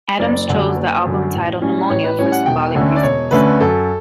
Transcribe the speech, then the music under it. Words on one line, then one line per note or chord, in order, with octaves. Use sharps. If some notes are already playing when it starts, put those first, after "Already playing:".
Adams chose the album title "Pneumonia" for symbolic reasons.
F#1 D5
F#2 D3 F#3
F#1
F#2 D3 F#3
A1
A2 G3 C#4
A1 C#5
B4
A2 G3 C#4 C#5
F#5
E1 G5
D2 D3 A3 C#4
D5
E1 C#5
D2 D3 A3 C#4 B4
F#2 A4